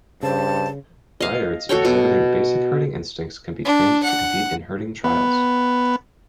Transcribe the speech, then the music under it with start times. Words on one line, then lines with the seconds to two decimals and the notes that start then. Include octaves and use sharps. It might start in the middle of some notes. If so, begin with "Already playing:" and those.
Briards exhibiting basic herding instincts can be trained to compete in herding trials.
0.23 G2 C#3 C5 A5
1.20 D#5 F5
1.69 F#4 A4 C#5 G5
1.85 B2
3.65 D4
4.03 F#5
5.04 B3